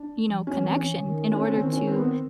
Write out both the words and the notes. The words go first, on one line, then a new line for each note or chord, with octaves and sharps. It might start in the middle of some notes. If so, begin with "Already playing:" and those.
you know, connection, in order to
Already playing: D4
F3
E3 C#4
C#4
C#4
D3
D#3
C#4
C4
D3 C#4
D#3 C4
C#4
C4
B3
C4